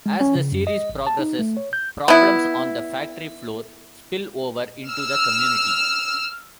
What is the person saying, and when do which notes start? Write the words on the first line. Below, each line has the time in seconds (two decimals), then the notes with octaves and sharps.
As the series progresses, problems on the factory floor spill over into the community.
0.06 G#3
0.21 C#4
0.35 C#3
0.52 F#2
0.67 D#5
0.89 A1
1.07 A5
1.19 D#4
1.39 A3
1.57 C#5
1.73 G6
2.08 B3 E4
4.91 E6 F6